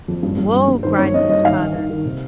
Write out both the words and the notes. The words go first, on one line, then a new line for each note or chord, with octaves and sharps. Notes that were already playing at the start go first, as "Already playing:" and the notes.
"Whoa!" cried his father.
F2
G2
G2
G2
G2
D#3 C5
G2 C#5
G2 D#5
G2 D#5
D#3 F5
D#3
D#3
D#3
C3